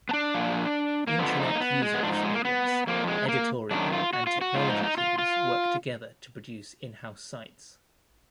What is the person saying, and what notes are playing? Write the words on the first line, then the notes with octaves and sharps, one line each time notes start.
Intranet user-experience, editorial, and technology teams work together to produce in-house sites.
B3
D4
A#2 F3
A#3
F2 D3 F3 B3
D#4
A#3
B3
G#3
B3
G#2 F3 D4
D#4
G#3
A#3
B3
F2 F3 A#3
G#3
A#3
F#2 D#3 D4
F4
F#4
F4
F#4
G#2 F3 F4
D#4
D#4
F4
F4